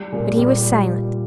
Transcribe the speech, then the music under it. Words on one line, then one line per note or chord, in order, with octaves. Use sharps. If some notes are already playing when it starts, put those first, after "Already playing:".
But he was silent.
Already playing: G3
A#2
G3